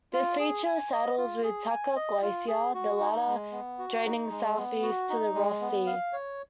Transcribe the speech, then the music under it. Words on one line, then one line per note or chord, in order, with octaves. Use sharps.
This feature saddles with Tucker Glacier, the latter draining southeast to the Ross Sea.
F4
G#4
G#5
D#5
F4
G#4
G#5
D#5
F4
G#4
F#4
D#4
G#3
B3
F#4
D#4
G#3
B3
F#4
D#4
G#3
B3
F5
C#5